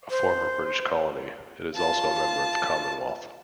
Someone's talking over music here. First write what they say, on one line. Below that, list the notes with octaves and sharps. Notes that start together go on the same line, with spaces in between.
A former British colony, it is also a member of the Commonwealth.
C5
F4 A5